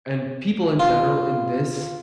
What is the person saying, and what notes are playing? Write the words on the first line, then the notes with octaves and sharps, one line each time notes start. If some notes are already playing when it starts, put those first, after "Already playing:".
and people in general in this
F4